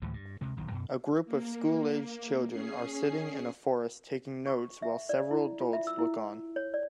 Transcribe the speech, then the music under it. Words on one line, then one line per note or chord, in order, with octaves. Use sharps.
A group of schoolaged children are sitting in a forest taking notes while several adults look on.
D2 A2 E3 G#3
G2
D2 C3 G#3
D#1 B1 D#3
F#2 B2
A#3
C#4 G#4 C7
C#6
E5
D5
E4
F4
E5
E6
E4
C#5
D5